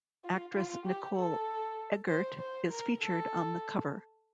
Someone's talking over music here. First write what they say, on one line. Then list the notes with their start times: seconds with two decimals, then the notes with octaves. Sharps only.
Actress Nicole Eggert is featured on the cover.
0.24 F4
0.55 F4
0.86 G4
1.16 A4
2.08 C5
2.39 C5
2.70 A#4
3.01 A4